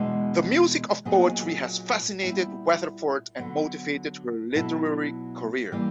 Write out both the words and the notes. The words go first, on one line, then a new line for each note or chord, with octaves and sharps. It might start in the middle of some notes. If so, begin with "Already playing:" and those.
The music of poetry has fascinated Weatherford and motivated her literary career.
Already playing: E2 B2 G#3 B3 D4
A#2 F#3 B3 D#4 G#4
A#2 G3 B3 E4
D3 F#3 B3
B2 F#3 B3 E4 A4
E3 G3 A#3